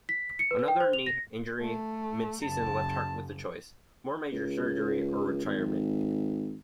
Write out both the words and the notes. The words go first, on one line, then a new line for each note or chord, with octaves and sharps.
Another knee injury mid-season left Hart with a choice: more major surgery or retirement.
B6
C#7
B4
G5
C5
F7
A#6
A3
F#1 A5
C#2
G#1